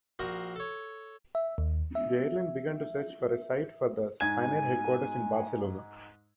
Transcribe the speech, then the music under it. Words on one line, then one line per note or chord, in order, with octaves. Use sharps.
The airline began to search for a site for the Spanair headquarters in Barcelona.
A#1 F#4 A#4 C5 C6 D#6
A4 C#5
E5
D#2
E5
G#2 G#5 G#6